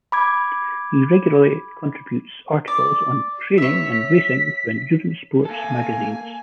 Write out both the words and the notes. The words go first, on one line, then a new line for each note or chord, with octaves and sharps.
He regularly contributes articles on training and racing for endurance sports magazines.
B5 D6 G#6
D5 D6
C#5 E5 B6
A#3 A4 G#5